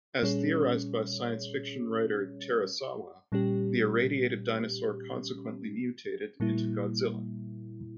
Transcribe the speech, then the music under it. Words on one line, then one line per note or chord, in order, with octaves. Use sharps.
As theorized by science fiction writer Terasawa, the irradiated dinosaur consequently mutated into Godzilla.
A#2 G3 C#4 G#4 C#5
A#2 G3 C#4 G4
A#2 G3 A#3 E4